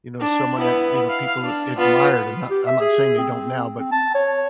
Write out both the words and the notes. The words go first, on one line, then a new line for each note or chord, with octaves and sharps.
you know, someone that, you know, people ad admired, and not I'm not saying they don't now, but
D4
B3 E4
F5
D4
B3 F4
G4
E5
G#4
C4
C4
A5
C#5